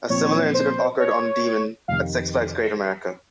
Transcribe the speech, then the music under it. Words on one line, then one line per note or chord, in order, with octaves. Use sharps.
A similar incident occurred on Demon at Six Flags Great America.
A#2 F3 C4 C#5
C5
C#5
F2 C3 D#3 F5